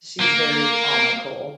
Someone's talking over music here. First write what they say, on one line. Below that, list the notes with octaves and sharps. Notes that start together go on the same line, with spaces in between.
She's very comical,
A#3